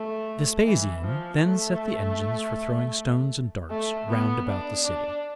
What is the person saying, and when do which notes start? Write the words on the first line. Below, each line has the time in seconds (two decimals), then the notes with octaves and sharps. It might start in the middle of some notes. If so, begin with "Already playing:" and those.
Vespasian then set the engines for throwing stones and darts round about the city.
Already playing: A3
0.66 E3
1.04 F3
1.42 A3
3.71 A3
4.09 B3
4.47 D4
4.85 D4